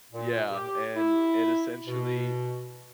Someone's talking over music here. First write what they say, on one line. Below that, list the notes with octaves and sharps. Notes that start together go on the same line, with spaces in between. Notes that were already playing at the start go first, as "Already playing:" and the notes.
Yeah, and it essentially, u
A#2
G4
E4
B2